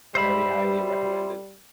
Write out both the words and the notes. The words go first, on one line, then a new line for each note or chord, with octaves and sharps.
Very highly recommended.
G3 C5 E5 B5